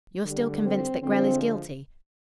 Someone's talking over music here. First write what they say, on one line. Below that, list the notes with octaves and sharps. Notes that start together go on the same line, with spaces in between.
"You're still convinced that Grell is guilty?"
D3 G3
C4
D3 F3 G#3 C4